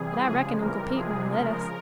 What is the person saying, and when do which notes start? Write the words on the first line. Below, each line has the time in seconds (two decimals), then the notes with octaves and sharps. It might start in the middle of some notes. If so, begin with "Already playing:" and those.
But I reckon Uncle Pete won' let us.
Already playing: C3 E3 G3 G#4
0.26 C#3 F3 G#3
0.60 C3 E3 G3 A#4
0.95 C3 F3 G#3 G#4
1.31 C#3 F3 G#3 A#4